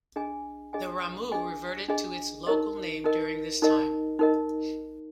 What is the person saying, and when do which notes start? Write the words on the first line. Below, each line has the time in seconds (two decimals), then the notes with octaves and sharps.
The Ramu reverted to its local name during this time.
0.16 D4 G#4 D#5 G#5
0.73 D4 G#4 D#5 G#5
1.32 D4 G#4 D#5 G#5
1.89 D4 G#4 D#5 G#5
2.47 D#4 A#4 D#5
3.04 D#4 A#4 D#5
3.62 D#4 A#4 D#5
4.19 D#4 A#4 D#5